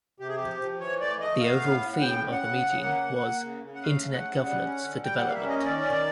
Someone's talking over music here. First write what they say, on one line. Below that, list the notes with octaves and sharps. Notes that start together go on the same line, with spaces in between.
The overall theme for the meeting was: "Internet Governance for Development".
C3 G4
G#4
F3 G4
F3
E3 C#5
A3 D5
A3 D#5
B3 F5
A2
A2
F#5
C#3 G5
C#3
F#5
C#3
C#3
A#3
A#3
A#3
C#3
C#3
F#5
A3 F5
C#3
F#5
C#3
G3 F#5
C#4
D3
G3 G5
A#3 F#5
F5
E5
C#4
D#5
D#5
D#3 D5
D#3